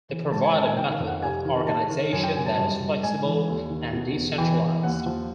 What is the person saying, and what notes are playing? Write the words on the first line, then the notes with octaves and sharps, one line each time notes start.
They provide a method of organization that is flexible and decentralized.
E3
G#2 A5
G#5
D#3 A5
G#5
D#3 G5
F5
F2
F#5
C3 G#5
D#3
D#3 A5
D#3
F#2 G#5
G5
F#2 G#5
A5
G2
G2
G#2 G#5
E3
D#2
D#3
B2
E2
E3 G5
E3
D#2 F#5
F3